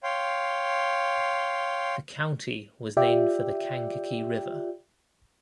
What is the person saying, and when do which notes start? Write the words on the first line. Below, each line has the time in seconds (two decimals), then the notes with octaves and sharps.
The County was named for the Kankakee River.
0.03 C#5 F5 G5 C6
2.97 F4 G4 D5 E5 G5